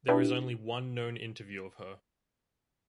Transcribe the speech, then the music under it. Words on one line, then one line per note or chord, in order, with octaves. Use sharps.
There is only one known interview of her.
D4 E4 G4 B4